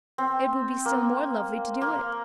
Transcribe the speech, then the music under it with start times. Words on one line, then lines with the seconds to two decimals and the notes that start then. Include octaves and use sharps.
"It will be still more lovely to do it."
0.18 C4
0.85 A#3
1.81 A#3